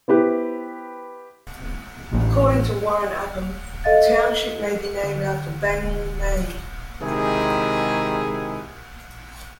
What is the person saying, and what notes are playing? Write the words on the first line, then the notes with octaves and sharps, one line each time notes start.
According to Warren Upham, the township may be named after Bangor, Maine.
B3 E4 G4 B4 C5
A1 D4
A4 D#5 F5 A6
D3
C3 D#3 G#3 E4 G#4